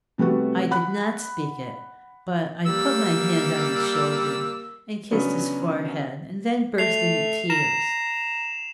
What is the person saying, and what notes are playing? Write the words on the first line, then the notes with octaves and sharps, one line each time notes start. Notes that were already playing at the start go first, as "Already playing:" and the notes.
I did not speak it, but I put my hand on his shoulder and kissed his forehead, and then burst into tears.
C3 G3 A3 B3 F#4
F#5 B5 F#6
G3 A#3 E6
C#3 F#3 B3 D4
A3 C7 F7
A#5 E7